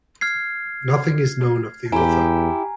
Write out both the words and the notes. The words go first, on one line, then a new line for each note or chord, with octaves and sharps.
Nothing is known of the author.
F6 G#6 C7
E2 E4 G4 G#5 A#5